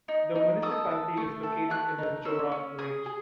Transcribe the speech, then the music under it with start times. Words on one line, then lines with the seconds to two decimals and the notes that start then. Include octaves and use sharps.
The municipality is located in the Jorat range.
0.08 D#4
0.35 D#4
0.62 A4 D#6
0.90 A4
1.17 A3
1.43 A4
1.70 A3 F#6
1.98 D#4
2.25 C#4 E6
2.52 C#4
2.78 G#4 D#6
3.06 G#4